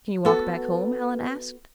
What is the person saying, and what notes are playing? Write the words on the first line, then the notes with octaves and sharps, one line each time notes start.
"Can you walk back home?" Alan asked.
B3 F#4 A4